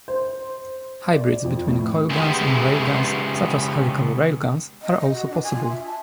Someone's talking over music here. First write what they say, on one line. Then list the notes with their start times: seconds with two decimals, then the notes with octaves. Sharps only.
Hybrids between coilguns and railguns such as helical railguns are also possible.
0.08 C5
1.14 D5
1.44 F2
1.67 A2
2.11 C#3 G#3 B3 E4 G4 G#4
4.82 D#5
5.00 D#5
5.14 F#4
5.29 D4
5.44 G#5
5.55 F4
5.69 E5
5.86 A5